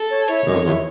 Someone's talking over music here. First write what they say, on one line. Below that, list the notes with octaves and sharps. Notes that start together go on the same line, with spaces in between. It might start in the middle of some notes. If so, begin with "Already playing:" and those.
Uh huh.
Already playing: A4
C#5
E4 C#5
D#4
E4